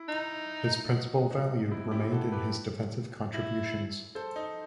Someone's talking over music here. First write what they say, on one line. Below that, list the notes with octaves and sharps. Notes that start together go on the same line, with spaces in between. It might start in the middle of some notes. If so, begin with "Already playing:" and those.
His principal value remained in his defensive contributions.
Already playing: E4
D#4
D#4 F#4
D#4 F#4
C4 E4
E4 G4
F#4 A4
G4 B4
E4
A4 C5
D#4